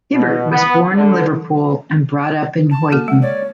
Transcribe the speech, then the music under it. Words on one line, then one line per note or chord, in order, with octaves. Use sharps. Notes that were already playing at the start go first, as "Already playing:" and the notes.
Hibbert was born in Liverpool and brought up in Huyton.
B2
B3
D3
A5
A#3 F#4 A4
G#3 F#5
C#5 D5